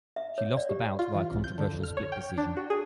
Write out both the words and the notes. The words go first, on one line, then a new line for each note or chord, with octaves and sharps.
She lost the bout via controversial split decision.
E5
C#5
D5
G4
F4
E3
C2
G6
D3
F2
F6
C#5
G5
D4
F#4
G#4